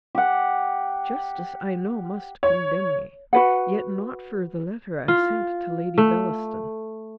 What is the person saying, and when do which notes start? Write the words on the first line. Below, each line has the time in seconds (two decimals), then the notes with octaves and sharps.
Justice I know must condemn me.--Yet not for the letter I sent to Lady Bellaston.
0.15 G4 F#5
2.43 C#5
3.33 F#4 B4 F#5
5.08 F4
5.98 A3